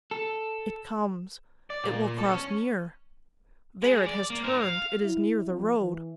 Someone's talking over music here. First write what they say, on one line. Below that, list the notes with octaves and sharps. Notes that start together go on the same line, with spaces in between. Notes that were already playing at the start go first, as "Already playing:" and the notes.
It comes--it will cross near--there, it has turned, it is near the road!
A4
D5
A#2
B1 A4
C#4
G#3
D5
A#3
D#4 C5
F5
E4
F2
E3